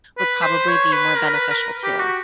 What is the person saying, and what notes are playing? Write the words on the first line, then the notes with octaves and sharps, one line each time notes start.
would probably be more beneficial too.
B4
C5
C#5
B4
A#4
B4
A#4
G4
F#4